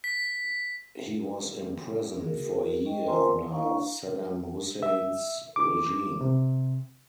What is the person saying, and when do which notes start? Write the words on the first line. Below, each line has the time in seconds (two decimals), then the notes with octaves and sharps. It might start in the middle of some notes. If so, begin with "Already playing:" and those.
He was imprisoned for a year under Saddam Hussein's regime.
0.04 B6
2.21 F#4 G#4 A#4
2.86 C#4 D#5 G5
3.08 F4 A#4 C5 G#5 A#5 C6
3.31 D5
3.52 D4 E4 C#5 F5 A#5 C#6
4.83 E5
5.56 D6
6.21 C3